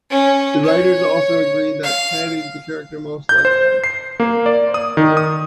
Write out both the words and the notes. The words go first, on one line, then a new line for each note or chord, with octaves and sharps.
The writers also agree that Ted is the character most like them.
C#4
C#5
F5
G6
C5
C7
A#3
D5
D#6
D#3
D#6